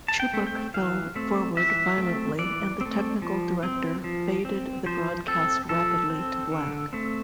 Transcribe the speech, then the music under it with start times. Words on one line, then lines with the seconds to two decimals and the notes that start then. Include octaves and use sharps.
Chubbuck fell forward violently and the technical director faded the broadcast rapidly to black.
0.08 A5
0.20 G5
0.34 A3 C4
0.47 G5
0.74 E3 F5
1.16 A3 C4
1.57 E3 E5
1.98 A3 C4
2.39 E3 D5
2.81 A3 C4
3.22 F3
3.63 C4
4.04 F3
4.45 C4
4.86 F3 C5
5.28 C4 A4
5.69 F3 A4
6.10 C4
6.52 D3
6.93 A3 C4